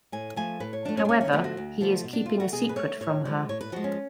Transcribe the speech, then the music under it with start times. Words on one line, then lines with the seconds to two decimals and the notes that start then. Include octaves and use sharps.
However, he is keeping a secret from her.
0.12 A2 G#5
0.36 F3 A3 G#5
0.60 A2 B4
0.73 C#5
0.85 F3 A3 D4
0.97 C#4
1.05 D4
1.08 D2 C#4
1.21 C#4
1.32 D3 F3 A3 B3
1.44 F#4
1.57 D2
1.81 D3 F3 A3
2.04 B2
2.13 D4
2.26 A3 F4
2.40 F#4
2.52 B2 G#4
2.69 B4
2.76 A3 C#5
3.01 A2 C#5
3.25 F3 G#3 D5
3.49 A2 C#5
3.61 B4
3.72 F3 G#3 F#4
3.84 C#4